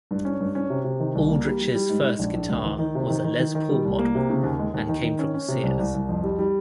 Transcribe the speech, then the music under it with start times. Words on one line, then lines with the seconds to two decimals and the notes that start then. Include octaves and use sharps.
Aldrich's first guitar was a Les Paul model and came from Sears.
0.11 G2
0.25 C#4
0.41 G2
0.55 C#4
0.70 C3
0.84 C3
1.00 D#3
1.15 C2
1.29 A#3
1.45 G3
1.60 G3
1.74 G3
1.89 G#2
2.04 G#2
2.19 A#1
2.34 A#1
2.49 C#2
2.64 D#3
2.79 D#3
2.95 C3
3.10 D#3
3.24 D#3
3.40 D#3
3.55 D#3
3.70 G3
3.85 C2
3.99 A#3
4.15 C3
4.30 C#3
4.44 D#2
4.59 G#3
4.74 D#2
4.89 D#3
5.04 D#3
5.19 C#4
5.34 C#4
5.48 C3
5.63 C2
5.79 C2
5.94 C2
6.09 F2
6.23 G3
6.39 G3